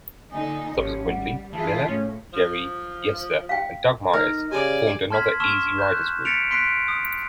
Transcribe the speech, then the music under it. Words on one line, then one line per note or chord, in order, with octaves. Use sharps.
Subsequently, Miller, Jerry Yester, and Doug Myres formed another Easy Riders group.
A#2 D3 D#4 G#5
G#1 F3 C#4 G4
G3 F#5
E3 E4 F4 G#4 A5
A2 C#4 C#5
F3
F5 G5
D#4 A#4
C#3 G4 D5 G#5
A5 C6 F6 G#6 B6 F#7
A5 C6 C#6 E6 F6 E7
F#6 G6
A6 B6 C#7 D7 F7
C6 F#6 B6 C7 D7
D#6